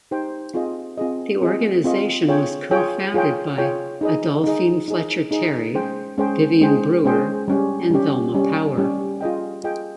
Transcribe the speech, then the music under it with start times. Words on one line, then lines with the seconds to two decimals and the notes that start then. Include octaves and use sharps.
The organization was co-founded by Adolphine Fletcher Terry, Vivion Brewer, and Velma Powell.
0.11 D#4 G4 C5 G5
0.54 C4 F4 G#4 D#5
0.98 C4 F4 G#4 D#5
1.42 C4 F4 G#4 D#5
1.84 C4 F4 G#4 D#5
2.27 F4 G#4 C#5 G5
2.71 F4 G#4 C#5 G5
3.14 F4 G#4 C#5 G5
3.58 F4 G#4 C#5 G5
4.01 D#4 G#4 D#5
4.44 D#4 G#4 D#5
4.88 D#4 G#4 D#5
5.31 D#4 G#4 D#5
5.74 G#3 C#4 G#4 C5 G5
6.18 G#3 C#4 G#4 C5 G5
6.61 G#3 C#4 G#4 C5 G5
7.05 G#3 C#4 G#4 C5 G5
7.48 G3 C#4 G4
7.91 G3 C#4 G4
8.34 G3 C#4 G4
8.77 G3 C#4 G4
9.21 F4 G#4 D#5 G5
9.64 F4 G#4 D#5 G5